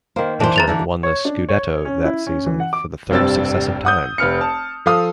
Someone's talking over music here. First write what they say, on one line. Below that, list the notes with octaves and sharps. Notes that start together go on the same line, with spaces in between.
Inter won the "Scudetto" that season for the third successive time.
D#3 A#3 C5
E3 D4 C5
A#5 A6 F7
D3 E3 D4 D#4
C#5
D4
C#5
C#4
E4
C#4
E3
F#5
D6
F1 G2 C4 E6 A6
F#5 D#6 G6
F1 B4 F6 C#7
A5
F3 A4 F5 D#6